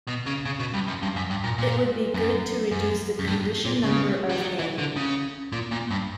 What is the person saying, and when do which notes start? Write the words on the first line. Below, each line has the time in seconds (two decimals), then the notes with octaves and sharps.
It would be good to reduce the condition number of "A".
0.08 B2
0.27 C#3
0.46 C#3
0.59 B2
0.74 G2
0.87 F#2
1.02 G2
1.16 F#2
1.30 G2
1.44 A#2
1.58 A#2
2.14 F#2
2.71 F#2
3.19 F#2
3.27 G2
3.65 A#2
3.83 C#3
4.29 G3
4.40 F#3
4.59 E3
4.78 D3
4.96 C#3
5.53 A#2
5.72 A#2
5.91 G2